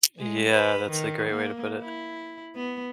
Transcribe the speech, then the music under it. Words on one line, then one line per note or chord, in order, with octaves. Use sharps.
Yeah, that's a great way to put it.
G#3
B4
D#3
A#3
E4
B3